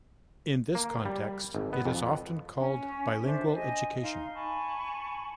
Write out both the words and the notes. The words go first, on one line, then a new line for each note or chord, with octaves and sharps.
In this context, it is often called "bilingual education".
A#3
G3
G#1
B3
F2
C#4
D4 A4 C5 E5
D#5 G#5
D#4 F5 C6
G#5 A5 B5 C#6